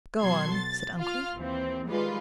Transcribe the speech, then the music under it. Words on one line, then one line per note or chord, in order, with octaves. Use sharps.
"Go on," said uncle.
B2 F#3 F#4 A4 C6 G#6
A6
F4 F6
D#2 E3 C4
D#3 G3 G#3 F4 B4